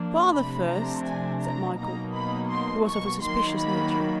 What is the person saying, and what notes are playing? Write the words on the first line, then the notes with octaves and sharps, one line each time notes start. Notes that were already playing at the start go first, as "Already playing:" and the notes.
"Father first," said Michael, who was of a suspicious nature.
Already playing: F3 A#3 D4
C3 F3 A3 D4 B5
A#5
G#5
A#5
B2 F#3 A#3 D#4 A#5
B5
C6
C#6
D#3 F#3 A#3 C6
B5